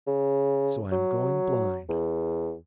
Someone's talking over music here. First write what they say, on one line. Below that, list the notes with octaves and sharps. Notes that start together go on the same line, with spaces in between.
So I am going blind.
C#3
F#3
E2